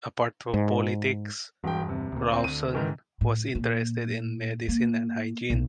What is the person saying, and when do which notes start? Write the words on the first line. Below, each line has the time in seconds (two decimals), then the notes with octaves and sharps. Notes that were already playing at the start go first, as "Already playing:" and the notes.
Apart from politics, Rawson was interested in medicine and hygiene.
0.54 G#2
1.64 E1 E2 G2 G5
1.89 C3
2.12 D2 A#2
2.31 C4
2.44 D2 D#7
2.73 G#2 D#3 E3
3.21 A2
3.55 A#2
4.68 A#3
5.50 B1